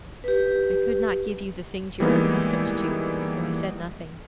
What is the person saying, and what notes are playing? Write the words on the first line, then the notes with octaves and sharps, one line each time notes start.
I could not give you the things you are accustomed to, so I said nothing.
G4 B4
E3 G3 G#3 A#3 B3 D#4